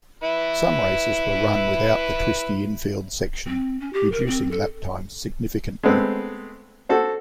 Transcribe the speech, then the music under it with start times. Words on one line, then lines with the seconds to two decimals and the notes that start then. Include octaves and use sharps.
Some races were run without the twisty infield section, reducing lap times significantly.
0.24 E4 B4
3.46 C4
3.79 C#4
3.93 G4
4.12 A#4
4.26 C4
4.51 A4
5.83 G#3 A3 B3 C4
6.89 F#4 A4 C5